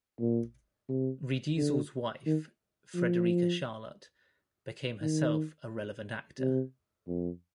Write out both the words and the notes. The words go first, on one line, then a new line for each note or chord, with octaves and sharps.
Riedesel's wife, Frederika Charlotte, became herself a relevant actor.
A#2
C3
D3
D#3
F3
D#3
C3
F2